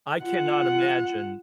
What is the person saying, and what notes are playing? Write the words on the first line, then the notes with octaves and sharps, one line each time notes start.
I cannot imagine
F4 F#5